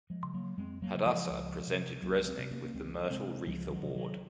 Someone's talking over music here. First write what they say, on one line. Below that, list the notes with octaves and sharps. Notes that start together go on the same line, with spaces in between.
Hadassah presented Resnick with the Myrtle Wreath Award.
F3 G#3
C#3
F#3 A#3
F2 G#3 C4
F#3 A#3
C#3
F3 G#3
C#2
C3
C#2 F#3 A#3
G#3 C4
C3
A#3 C#4
A#3
C#2 G#3 C4
C3 G#3 C4
C#2 F3 G#3
D#3 F#3
C3
D#3 F#3